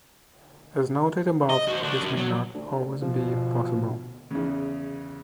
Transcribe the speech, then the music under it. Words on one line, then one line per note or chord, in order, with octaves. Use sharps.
As noted above, this may not always be possible.
D#5
F#4 C5
D4 F#4
F#2
F#3
D2
B2 F3
E2 C#3